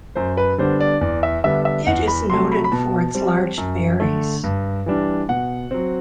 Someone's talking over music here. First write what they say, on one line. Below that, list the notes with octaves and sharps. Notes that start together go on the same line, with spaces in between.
It is noted for its large berries.
F#2 C5
B4
D3 G3 B3 D4 C5
D5
E2 D5
E5
D3 G3 B3 D4 E5
E5
E2 F#5
B5
C3 F#3 A3 C6
B5
B5
B2 A5
G3 C4
F#2
D3 A3
G2
E3 G3 D4
B2 F#5
F#3 C4